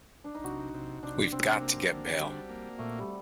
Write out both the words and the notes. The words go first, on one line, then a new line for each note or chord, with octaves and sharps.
We've got to get bail.
D4
D#4
C3 F#4
C3
C3 D4
C3 C4
A#3
D3
G3
A#3
A#2 A3
G3